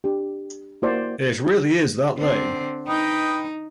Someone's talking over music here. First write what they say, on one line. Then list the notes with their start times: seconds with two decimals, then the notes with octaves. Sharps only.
It really is that lame.
0.04 D4 G4
0.82 A#3 E4 F#4 C5 D5
2.18 D3 C4
2.88 D#4 B4 D#5 G5